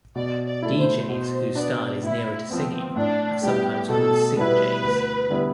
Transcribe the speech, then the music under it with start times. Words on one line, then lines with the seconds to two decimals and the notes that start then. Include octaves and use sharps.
Deejays whose style is nearer to singing are sometimes called singjays.
0.15 B2 D5
0.47 D5
0.62 A3 E4
0.78 C5
1.09 B2 C5
1.55 B3 D4 D5
2.02 A2 E4
2.49 F3 B3 C4
2.96 A2 D4
3.43 G3 B3 E4 G4
3.89 B2 A4
4.36 G3 B3 E4 B4
4.83 D2
5.30 D3 G3 B3 E4